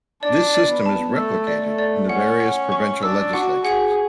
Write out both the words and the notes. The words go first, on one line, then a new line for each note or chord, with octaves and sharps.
This system is replicated in the various provincial legislatures.
D4 D5
D5
B3
A5
A3 E6
D5
A3
D5
C#4 F#5
F#5
C#6
D4 E6
F#4 F#5
G#4 F#5